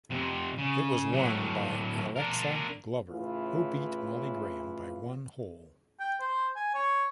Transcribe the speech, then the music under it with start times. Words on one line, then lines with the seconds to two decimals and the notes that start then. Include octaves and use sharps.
It was won by Alexa Glover who beat Molly Graham by one hole.
0.10 F2 C3
0.58 C#3
1.12 A2 F#3
2.16 D4 A#4
3.11 A2 C#3 E3 F4
5.99 G5
6.20 C5
6.56 G#5
6.74 C#5